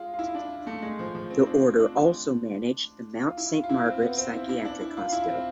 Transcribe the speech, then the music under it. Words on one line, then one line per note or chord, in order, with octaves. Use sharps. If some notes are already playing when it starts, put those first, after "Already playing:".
The order also managed the Mount St Margaret psychiatric hospital.
Already playing: G#3 F4
F4
E4
D4
A3
G#3
F3
F3
C4
D4
D4
F4
E4
F4
F4
E4
C4
B3
C4
E4
E4
D4
E4
F4
F4
E4
C4